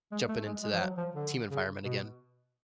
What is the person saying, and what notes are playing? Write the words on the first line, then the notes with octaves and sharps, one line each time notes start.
jumping into that team environment again.
G#3
A3
G#3
G#3
F3
F#3
F3
D3
C#3
B2